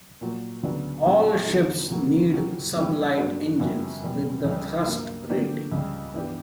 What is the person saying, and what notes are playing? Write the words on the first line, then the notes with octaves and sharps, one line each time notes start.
All ships need sublight engines with a Thrust Rating.
A#2 F#3 A#3
D2 C#3 F#3 B3 D4
A#2 F#3 C#4
E2 D3 F#3
D2 C#3 F#3 A#3
C#3 F#3 C#4 G4
E2 C#3 G3 C#4 E4
G2 F#3 A#3 D4 F#4
F#2 C#3 G3 B3 F#4
E2 B2 G3
C#2 C#3 G3
G2 F#3 A#3
D3 F#3 A#3 D4 G4
C#2 C#3 G3
G2 E3 B3 D4 G4